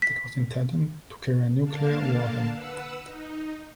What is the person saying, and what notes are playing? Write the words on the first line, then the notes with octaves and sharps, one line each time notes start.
It was intended to carry a nuclear warhead.
B6
D3 A#3 D4 F5 A5
B4 F#5 E6
D#4